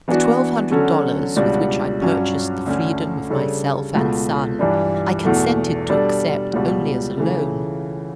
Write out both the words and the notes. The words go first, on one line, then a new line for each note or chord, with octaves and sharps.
The twelve hundred dollars with which I purchased the freedom of myself and son I consented to accept only as a loan.
E3 B3 D4 F#4
D3 F#3 C#4 F#4 A4
C#2 B2 G3 D4 F#4
G2 F#3 C#4
D2 D3 A3 C#4
C#3 G3 D4 A4 C#5
C#2 B2 A3
G2 E3 G3 D4
E2 B2 A3
B2 G3 D4 A4
C#2 B2 G3
C#3 E3 A3